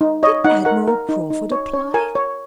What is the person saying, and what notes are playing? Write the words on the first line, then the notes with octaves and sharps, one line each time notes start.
Did Admiral Crawford apply?
D#4
C#5 D#5
D#4 F#5
A#4 F#5
A#4
D#4
D#4
C#5
C#5
A#4 G#5
C#5